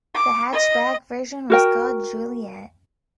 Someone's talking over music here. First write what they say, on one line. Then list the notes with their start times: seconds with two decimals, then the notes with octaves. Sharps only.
The hatchback version was called "Juliet".
0.14 D6
0.52 D#5
1.50 F#4 A#4 G5